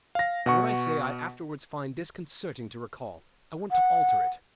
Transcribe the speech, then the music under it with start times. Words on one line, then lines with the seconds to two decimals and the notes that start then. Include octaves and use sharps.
What I say, I afterwards find disconcerting to recall. I want to alter it.
0.15 F5 A#6
0.46 B2 F#5 C#6
3.71 F#5